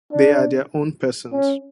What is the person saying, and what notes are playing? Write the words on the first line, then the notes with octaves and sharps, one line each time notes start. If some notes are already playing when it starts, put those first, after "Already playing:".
They are their own persons.
D4
C#4